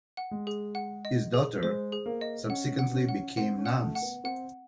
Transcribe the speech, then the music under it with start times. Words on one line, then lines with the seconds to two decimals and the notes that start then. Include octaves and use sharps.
His daughters subsequently became nuns.
0.17 F#5
0.31 G#3
0.47 G#4
0.75 F#5
1.05 D#5
1.34 G#4
1.63 G#3 C5
1.92 G#4
2.06 A#3
2.21 D#5
2.50 C#4 F#5
2.79 F#5
2.93 C#4
3.09 F#5
3.37 C4 F#5
3.58 C#4
3.66 F#5
3.81 A3
3.95 F#5
4.02 B3
4.24 C4 F#5